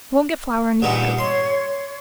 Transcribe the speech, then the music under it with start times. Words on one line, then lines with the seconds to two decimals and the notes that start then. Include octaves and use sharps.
I won't get flour on your coat.
0.82 G2 A#2 D#4 F#5
1.18 C#5 C6
1.56 C#5